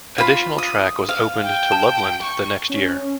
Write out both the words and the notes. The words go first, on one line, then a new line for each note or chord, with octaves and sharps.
Additional track was opened to Loveland the next year.
F4 B5
D#6
F5
G5
A5
C#6
C#4